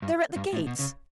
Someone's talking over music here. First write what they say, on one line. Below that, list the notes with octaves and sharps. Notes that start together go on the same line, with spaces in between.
'They're at the gates!
G2
G2
A2
B2
C#3